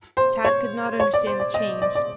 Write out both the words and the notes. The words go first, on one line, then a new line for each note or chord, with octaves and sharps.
Tad could not understand the change.
C5
C#5
C#5
D5
C5
D5
D#5
D5
D5